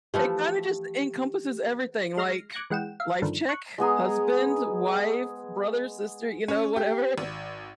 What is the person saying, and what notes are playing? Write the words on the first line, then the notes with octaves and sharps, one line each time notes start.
It kinda just encompasses everything, like, life check, husband, wife, brother, sister, you know, whatever.
E3 F3 A3 G4
G#3 F6 A#6 C7
D6 F#6 G#6 A#6 C#7
E3 G#3 F#5 G5 E7
E5 F5
G2 D3 D#3 F3
C#6 F#6
G#3 B3 G#4 A#5
C#4
G4
G#1